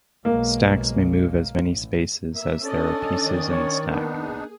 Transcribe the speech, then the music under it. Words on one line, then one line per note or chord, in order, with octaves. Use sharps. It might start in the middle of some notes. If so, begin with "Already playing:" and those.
Stacks may move as many spaces as there are pieces in the stack.
B1 G#3 A#3
A1
A#3 E5
C#4 D4 A4 D5 D#5
D#3
C#5
A#3 B3 D4 D#4
G#4